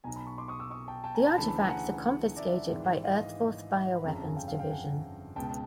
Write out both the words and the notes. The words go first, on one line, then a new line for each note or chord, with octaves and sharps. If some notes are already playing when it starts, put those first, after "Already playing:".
The artifacts are confiscated by EarthForce Bioweapons Division.
B1 B2 G#5 A#5
A5 B5
B5 C#6
C6 D6
C#6 D#6
D6 E6
C#6 D#6
G5 A5
G5 A5
G#5 A#5
A5 B5
D2 C#3 E3 A5 B5
A5 B5
G#5 A#5
F#5 G#5
D5 E5
G#1 G#2 E3
D#5 F5
E5 F#5
B5
G1 F2 C#3 F3 A#5
A5
G#5
F5 G5
F5 G5
F5 G5
F#5 G#5
C#2 B2 G5 A5